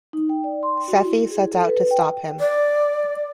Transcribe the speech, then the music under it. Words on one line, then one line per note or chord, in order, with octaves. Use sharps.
Sephie sets out to stop him.
D#4
G5
D5
C6
F#4
E4
G#4
A4
B4
G5
D5